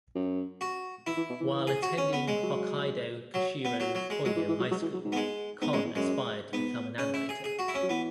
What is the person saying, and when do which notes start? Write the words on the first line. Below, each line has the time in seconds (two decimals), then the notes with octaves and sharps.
While attending Hokkaido Kushiro Koryo High School, Kon aspired to become an animator.
0.15 F#2
0.61 F#4
1.07 E3 E4
1.17 E3
1.30 B2
1.40 E3
1.67 G#4
1.82 F#4
1.98 C#4
2.13 B3
2.28 G#3
2.43 F#3
3.34 F#3
3.65 B3
3.80 F#3
3.95 F#3
4.10 G#3
4.25 F#3 G#3
4.36 E3
4.48 E3
4.60 F#3
4.71 F#3
4.82 E3
4.94 F#3
5.04 G#2
5.12 B3
5.16 G#3
5.62 G#2 B3
5.73 F#2 G#3
5.85 E2
5.95 F#2 G#3
6.52 G#2 B3
6.98 C#3 C#4
7.14 E4
7.29 G#4
7.44 G#4
7.59 F#4
7.68 E4
7.74 C#4
7.83 F#3
7.89 E3 B3